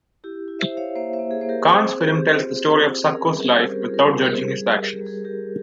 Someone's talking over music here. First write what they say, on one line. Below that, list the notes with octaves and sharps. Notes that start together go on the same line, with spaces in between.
Kahn's film tells the story of Succo's life without judging his actions.
E4 G4
E4
C5 E5
E4
C#5 F5
A#3 C5 E5
C5 E5
A#3
G#4
A#3 C5
G4 A#4
C4 G#4 C5
C4 G#4
C4 G4
F4
C4
C4
A#4
C#4 G#4
G#4
G3
G#4 C5
G3
G4 A#4
F4 G#4
A#4
G#4
G3
G4 A#4
G3
G#4 C5
G3 G#4
G4 A#4
G3
G3
G#4
G3 G4 A#4